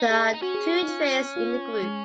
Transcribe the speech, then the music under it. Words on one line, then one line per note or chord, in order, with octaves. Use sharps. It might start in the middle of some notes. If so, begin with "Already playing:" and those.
There are two trains in the group.
Already playing: D#4
G#4
D#4
C#4 F#4
G#4
F#4
D#4
F4
F4
G#3